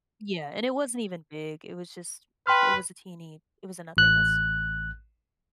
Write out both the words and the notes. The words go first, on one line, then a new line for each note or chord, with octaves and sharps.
Yeah, and it wasn't even big, it was just it was a teeny it was a nothingness.
B4 G5 C6 F6
A1 F#6